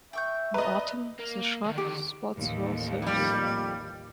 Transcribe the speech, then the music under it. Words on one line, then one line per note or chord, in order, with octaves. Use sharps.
In autumn, the shrub sports rose hips.
E5 G5 C#6 G6
B4 D5 D#5 A#5
A#3
D3 D#3
G4
A1 D#2
F2 G3